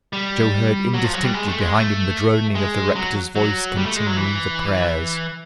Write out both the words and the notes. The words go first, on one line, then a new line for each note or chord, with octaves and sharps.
Joe heard indistinctly behind him the droning of the rector's voice continuing the prayers.
G3
F#3
F3
F#3
G3
G#3
A3
G#3
A3
G#3
F#3
F#3
G3
A3
G#3
F#3
E3